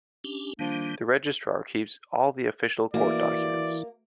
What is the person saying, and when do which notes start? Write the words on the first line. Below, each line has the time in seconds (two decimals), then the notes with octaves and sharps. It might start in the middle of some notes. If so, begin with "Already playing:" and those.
The registrar keeps all the official court documents.
0.24 C#4 D4 G4
0.59 D#3 F3 G3 A#3 D4
2.94 E3 A#3 E4 F#4 B4 D5 E5